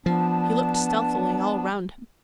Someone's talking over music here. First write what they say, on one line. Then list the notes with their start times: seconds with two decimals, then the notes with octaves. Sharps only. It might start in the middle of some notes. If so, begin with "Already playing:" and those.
He looked stealthily all round him.
0.06 F3 B3 D4 A5